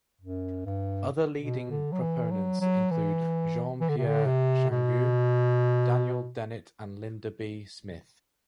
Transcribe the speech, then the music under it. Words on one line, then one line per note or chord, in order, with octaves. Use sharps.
Other leading proponents include Jean-Pierre Changeux, Daniel Dennett and Linda B. Smith.
F#2
G2
B2
D3
F#3
E3
F#3
F#3
E3
E3
D3
C3
D3
C3
B2